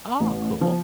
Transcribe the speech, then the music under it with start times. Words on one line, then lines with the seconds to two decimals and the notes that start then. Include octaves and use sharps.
Aw, cool.
0.20 A1
0.61 F3